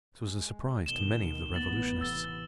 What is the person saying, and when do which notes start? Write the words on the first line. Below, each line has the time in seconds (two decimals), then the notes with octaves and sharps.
This was a surprise to many of the revolutionists.
0.22 G#3
0.86 B2 D#3 E7 G7
1.54 A1 B3 A6 F#7
2.01 C3 E3 E6 A6 G7